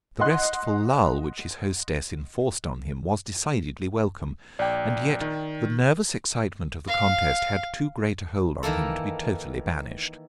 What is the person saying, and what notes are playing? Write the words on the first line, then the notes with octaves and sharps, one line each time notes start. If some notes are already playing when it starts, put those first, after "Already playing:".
The restful lull which his hostess enforced on him was decidedly welcome, and yet the nervous excitement of the contest had too great a hold on him to be totally banished.
D#5 F#5 C6 F#6
A#1 D5 G5
D#3
F5
D#3 E3 A#3 A4